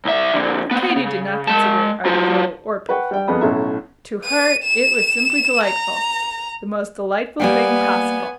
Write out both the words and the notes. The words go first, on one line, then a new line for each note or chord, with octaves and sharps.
But Katy did not consider it either droll or pitiful; to her it was simply delightful--the most delightful thing possible.
C2 E5
F2 D3
B3 C4
C#3
G#3 A5
F#3 F4
B4 F#5 G5 C#6
G3 G5
F2 B3 G#4 B5 D#6
B1 A2 C#4 E4 E5 A#5
D#7
E7
A#5
G3 A#3 B3 G5 G#5